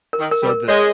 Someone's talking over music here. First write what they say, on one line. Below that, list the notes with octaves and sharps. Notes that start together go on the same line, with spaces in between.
so the
A#4
D#3
A#4
G3
A#4
G#3 C#5